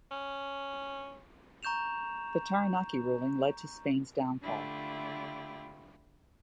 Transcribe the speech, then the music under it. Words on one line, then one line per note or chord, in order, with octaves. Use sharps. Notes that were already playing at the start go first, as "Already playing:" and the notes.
The Taranaki ruling led to Spain's downfall.
C#4
A#5 C#6 G6 E7 F7
D3 A3 E4 F4 G4